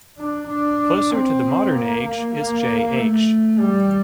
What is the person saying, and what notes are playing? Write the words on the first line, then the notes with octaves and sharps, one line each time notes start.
Closer to the modern age is J.-H.
D4
D4
C4
A#3
A#3
A#3
A3
G3